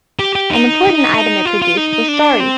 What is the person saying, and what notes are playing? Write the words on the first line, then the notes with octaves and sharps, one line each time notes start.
An important item it produced was sari.
G4
G4
D#4
D#4
F4
F4
D#4
D4
C4